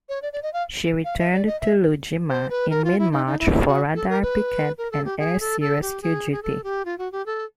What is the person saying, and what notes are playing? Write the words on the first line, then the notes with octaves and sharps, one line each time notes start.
She returned to Iwo Jima in mid-March for radar picket and air-sea rescue duty.
C#5
D5
D5
D#5
F5
F5
E5
D5
D#5
E5
C5
B4
A#4
F4
E4
D#4
D#4
E4
E4
F4
F#4
A4
A#4
B4
A#4
A4
G4
G#4
A4
A4
G4
G#4
G#4
A4
G4
F4
F#4
G4
A4